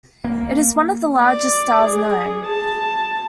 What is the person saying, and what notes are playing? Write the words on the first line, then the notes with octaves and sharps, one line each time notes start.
It is one of the largest stars known.
A#3
D5
G#4
A5